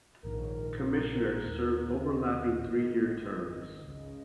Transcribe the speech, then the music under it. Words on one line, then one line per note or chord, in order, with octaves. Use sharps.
Commissioners serve overlapping three-year terms.
A#1 G#2 D#3 A#4
C#5
A#4
A#4
D#2 D#3
D#5
G#1 G#2 D#3
D#5
C#2 C#3